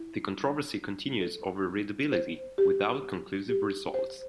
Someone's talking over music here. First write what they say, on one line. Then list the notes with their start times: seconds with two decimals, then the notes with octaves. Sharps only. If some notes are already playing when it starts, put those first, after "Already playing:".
The controversy continues over readability, without conclusive results.
Already playing: E4
1.21 A4
2.12 C5
2.58 G4
3.49 G4
3.94 C5